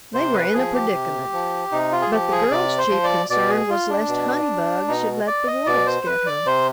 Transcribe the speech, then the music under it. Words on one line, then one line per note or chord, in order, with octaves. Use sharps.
They were in a predicament; but the girl's chief concern was lest "Honey-bug" should let the wolves get her.
C3 C5
B4
F3 G#4
G4
C3
F3
C3 D#4
F4
G#4
F3 G4
G#4
C3 D5
C5
F3
D5
B2 D5
G#4
F4
D4
B2
B2 D#4
D5
D#5
B2 D5
C5
B4
D5
C3 C5